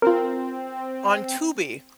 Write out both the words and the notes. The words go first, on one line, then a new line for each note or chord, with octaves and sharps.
on Tubi
C4 F4 A#4